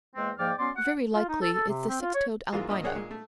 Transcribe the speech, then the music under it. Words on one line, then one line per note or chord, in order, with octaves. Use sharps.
Very likely it's the six-toed albino.
E2 G#3 A#3 C4
G#2 F3 A#3 D5 G5 F6
F#3 B3 C#4 D5 C6
F#5
F4
D#4
A4
A4
C3
C4
F4
C#5
G#2 E3 F#3 A#3 F4 G#4
G2 A#2 D#5
A#3 G#4 C#5 D5 F#5 G5
A#2 G#3
A3